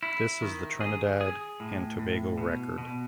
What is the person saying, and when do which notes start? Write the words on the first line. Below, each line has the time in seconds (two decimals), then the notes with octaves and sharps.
This is the Trinidad and Tobago record.
0.03 E4
0.42 D#3
0.81 G#4
1.21 G#4
1.60 A2
1.99 A2
2.38 B2
2.78 B2